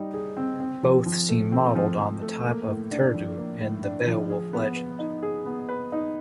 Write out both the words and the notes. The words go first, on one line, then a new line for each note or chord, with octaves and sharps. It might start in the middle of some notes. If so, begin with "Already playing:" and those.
Both seem modeled on the type of Thyrdo of the Beowulf legend.
Already playing: G3 D#4
G#4
C4
C4
F3
F3
A3
C4
F3
F3
A3
A#3
A2
D4
F3
A#3
A2
D4
F3
G#4
B3
B4
D#4
G#4
B3
B4
D#4